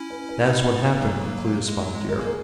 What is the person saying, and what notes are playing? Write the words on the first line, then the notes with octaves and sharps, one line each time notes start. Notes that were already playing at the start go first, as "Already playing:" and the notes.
"That is what happened," concluded Spotted Deer.
Already playing: C#4 E4
B4
B4
B3 D#4 B4
F#3 A#3
G#3
F#3
G#3
G#3 A#4
G#4
A#3
A#4